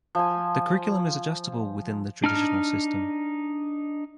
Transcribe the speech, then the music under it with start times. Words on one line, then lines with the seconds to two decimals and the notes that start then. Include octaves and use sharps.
The curriculum is adjustable within the traditional system.
0.15 F3 G#5
2.24 D4 D#4 F6